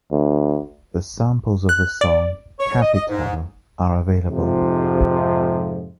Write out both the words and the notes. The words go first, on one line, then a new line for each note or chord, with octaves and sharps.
The samples of the song “Capito?” are available.
D2
F#6
D5
C#5
D#5
D#5
G#2
F2 G#2 C3 F3